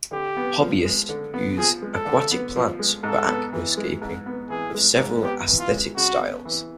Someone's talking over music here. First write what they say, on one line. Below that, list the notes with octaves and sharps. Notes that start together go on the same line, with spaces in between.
Hobbyists use aquatic plants for aquascaping, of several aesthetic styles.
D3 G4
B3
F3
G#3
D3
B3
F3 G#4
G#3
A4
D3
B3
F3
G#3
G#2 A4
B3
E3
G#3
G#2
B3
E3 G#4
G#3
G#2
B3 G4
E3
F4
G#3
C#3 F#4
B3
E3